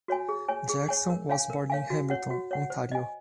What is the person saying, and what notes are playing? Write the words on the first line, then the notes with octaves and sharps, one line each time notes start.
Jackson was born in Hamilton, Ontario.
F#4 C#5 G#5
G#4
C#5 G#5
G#4
C#5 G#5
A#4
C#5 F5 G#5
A#4
C#5 F5 G#5
F#4
C#5 F#5
F#4
C#5 F#5
C5
D#5 G#5